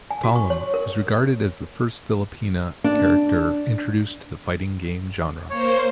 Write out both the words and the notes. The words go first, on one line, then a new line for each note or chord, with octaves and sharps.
Talim is regarded as the first Filipina character introduced to the fighting game genre.
G#5
F#4
C#6
C#5
A#4
D4
A#3 C5 C#5